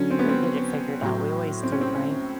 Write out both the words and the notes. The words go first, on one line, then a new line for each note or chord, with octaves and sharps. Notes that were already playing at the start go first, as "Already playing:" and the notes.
We'll get it figured out. We always do, right?
Already playing: D3 F#3 C#4
C4
B3
C4
A2 F#3
C4
C#4
C4
C#4